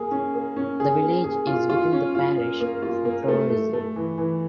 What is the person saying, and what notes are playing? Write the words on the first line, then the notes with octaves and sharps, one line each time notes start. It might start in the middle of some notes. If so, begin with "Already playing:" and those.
The village is within the parish of Torosay.
Already playing: A#3 G#4
C#4
A#3
C#4
G#4
A#3
G#4
F4
F4
C#4
F4
A#3
A#3
F4
A#3
A3
A3
A3
E3
E3